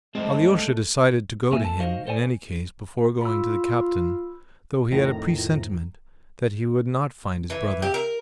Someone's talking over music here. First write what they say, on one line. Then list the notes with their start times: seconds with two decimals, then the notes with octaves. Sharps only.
Alyosha decided to go to him in any case before going to the captain, though he had a presentiment that he would not find his brother.
0.15 G2 G#3 A3 C4 A4 C5 D#5
1.52 B1 G2 A#3 A#4 E5 G#5
1.63 F2 A4 A5
1.80 D#4 F#4 C5 D#5 F5
2.07 A4 C5 D5 F5 G#5
3.21 F4 B5 E6
4.92 F2 A2 D#3 A#5
7.50 E3
7.82 G4
7.94 A#4